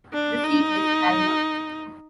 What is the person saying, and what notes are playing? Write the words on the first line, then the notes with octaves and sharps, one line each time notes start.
The seat is Alma.
D4
D#4